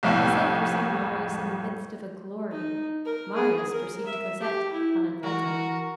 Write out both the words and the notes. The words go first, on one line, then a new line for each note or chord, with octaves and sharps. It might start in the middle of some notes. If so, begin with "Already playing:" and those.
Cosette perceived Marius in the midst of a glory; Marius perceived Cosette on an altar.
C2 F2 A2
D#4
A#4
G#4
A#4
E5
G4
E4
E3 F#4 A#4